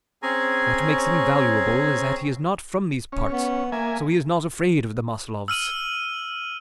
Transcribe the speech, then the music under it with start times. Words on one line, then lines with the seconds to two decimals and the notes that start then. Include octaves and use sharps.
What makes him valuable is that he is not from these parts, so he is not afraid of the Maslovs.
0.22 C4 C#4 G#4 C#5 G#5 A#5
3.12 C#4
3.31 B3
3.72 A#3 E5 G#5
5.48 E6 F6 D#7 F#7